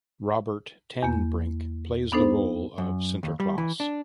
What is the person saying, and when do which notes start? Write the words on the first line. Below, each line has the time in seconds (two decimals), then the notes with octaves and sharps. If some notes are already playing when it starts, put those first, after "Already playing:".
Robert ten Brink plays the role of Sinterklaas.
1.03 E2 A#3
2.12 B3 D4 D#4 A4 C5
2.78 F#2
3.23 D#2
3.40 G3
3.58 E3
3.80 D4